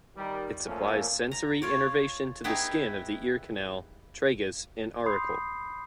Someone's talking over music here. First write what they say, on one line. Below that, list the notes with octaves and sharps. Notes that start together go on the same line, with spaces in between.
It supplies sensory innervation to the skin of the ear canal, tragus, and auricle.
D#3 G3
A#2 F3 A3 A#3 C#4
A#5
F4 C#5 D5
B3 D#4 E4 G4 G#4
B5 C6 D#6 G6 C7